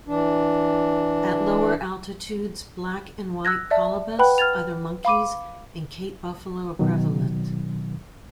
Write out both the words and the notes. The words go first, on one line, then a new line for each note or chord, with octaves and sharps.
At lower altitudes Black-and-white colobus, other monkeys and Cape Buffalo are prevalent.
E3 D4
E6 F#6 G#6 A#6
D5 E5 A5
B4 F#5 G5 B5 F#6
F6 G#6 A6 F7
F5 B5 D6 D#7
B2 D#3 F#3